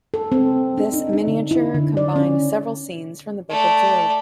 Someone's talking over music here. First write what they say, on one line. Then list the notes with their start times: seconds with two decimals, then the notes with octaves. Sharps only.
This miniature combine several scenes from the Book of Job.
0.14 A4
0.32 C4
0.78 D4
0.93 D#4
1.13 D4
1.27 D3
1.51 E4
1.74 D3
1.97 D5
2.16 C#4
3.50 A3 D5